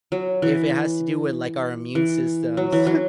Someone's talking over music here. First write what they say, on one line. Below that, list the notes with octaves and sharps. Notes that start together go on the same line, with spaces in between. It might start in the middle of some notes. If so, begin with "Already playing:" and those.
if it has to do with, like, our immune systems,
F#3
E3
E3
F#3
E3
F#3